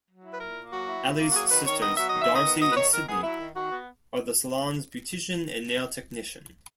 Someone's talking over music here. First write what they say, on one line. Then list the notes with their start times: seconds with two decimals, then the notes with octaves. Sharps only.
Allie's sisters, Darcy and Sydney, are the salon's beautician and nail technician.
0.10 F#3
0.25 E4
0.31 B4
0.40 A#2 A#4
0.56 A#3
0.72 F#3 F#4
0.88 E4
1.04 A#2
1.19 A#3
1.31 F#4
1.34 F#3 G#4
1.51 D#3 B4
1.66 D#3 C#5
1.82 B3 D#5
1.95 F#3 E5
2.09 D#5
2.14 D#3
2.22 E5
2.29 D#3
2.35 D#5
2.45 B3
2.61 F#3 D#5
2.72 B4
2.76 D#3 C#5
2.93 D#3 A#4
3.08 B3 G#4
3.23 F#3 E4
3.39 D#3
3.55 D#3 F#4
3.70 B3